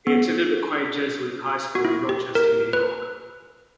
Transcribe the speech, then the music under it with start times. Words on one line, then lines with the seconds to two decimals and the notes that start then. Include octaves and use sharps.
He attended McQuaid Jesuit High School in Rochester, New York.
0.07 B3
1.75 F#4
1.85 E4
2.09 G4
2.35 A#4
2.73 B4